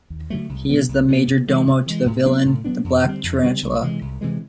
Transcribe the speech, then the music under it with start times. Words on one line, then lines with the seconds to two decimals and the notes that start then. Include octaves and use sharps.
He is the majordomo to the villain the Black Tarantula.
0.10 D#2
0.30 D3 F#3 A3
0.49 C2
0.69 B2 F#3 B3
0.89 C2
1.08 B2 F#3 B3
1.28 C3
1.48 E3 G#3
1.67 C3
1.86 E3 G#3
2.06 A2
2.25 F#3 B3 D4
2.45 A2
2.65 F#3 B3 D4
2.84 F2
3.04 D3 G3 C4
3.23 F2
3.43 D3 G3 C4
3.63 C2
3.82 C3 E3 G#3
4.01 C2
4.21 C3 E3 G#3